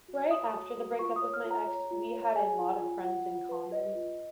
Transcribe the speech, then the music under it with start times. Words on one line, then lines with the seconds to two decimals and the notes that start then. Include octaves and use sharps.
right after the breakup with my ex, we had a lot of friends in common,
0.08 F#4
0.31 C#5 D#6
0.53 F#4
0.76 F#4
0.99 F4 C#6
1.16 D#6
1.22 C#5
1.34 F6
1.44 F4
1.51 A#5
1.67 C#5
1.91 F4
2.14 C#5
2.36 G#4 G#5
2.58 F4
2.82 F4
3.04 F4 F#5
3.26 F4
3.49 B4
3.72 B4 D#5
3.95 F4